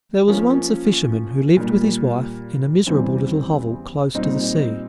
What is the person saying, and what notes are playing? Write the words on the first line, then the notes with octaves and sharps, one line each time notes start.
There was once a fisherman who lived with his wife in a miserable little hovel close to the sea.
F3 A#3 C#4 F4
A#2 G3 A#3
E2 C#3 E3 G3 C4
A#2 G3 C4 D#4